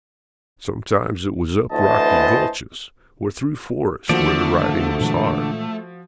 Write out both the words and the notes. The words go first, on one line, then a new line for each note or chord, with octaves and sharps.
Sometimes it was up rocky gulches or through forests where the riding was hard.
D2 E3 C5 D#5 A5
D3 D#3 F3 A3 A#3 F#4 D5
A#2 E3 G#3